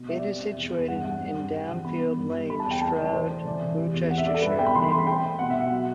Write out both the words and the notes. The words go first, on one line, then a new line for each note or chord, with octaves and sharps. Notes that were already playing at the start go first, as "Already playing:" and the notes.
It is situated in Downfield Lane, Stroud, Gloucestershire, England.
Already playing: B2
G3 E5
D5
C4 E5
C4
E2
E2
G2 F#5
G2 F#5
C4
G2
C4
E3
B3 B5
B3
G2
G3
A3 B5
A5
E2
G5
C4 A5
E3 D5
A2 C5
A2
E3 D5
E3
C3
E2
C4 F#5
E5
A3 D5
A4
G2 B4
E5
B3 G5
B5
E3 C6
B5
A3 C6
B5
C4 G5
C4
B2 F#5
E5
B2
F#5
F#3